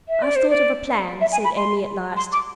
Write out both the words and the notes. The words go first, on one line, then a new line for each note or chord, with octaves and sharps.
"I've thought of a plan," said Emmy at last.
E5
D5
C5
D5
E5
G#5
B5
C6
C6
D6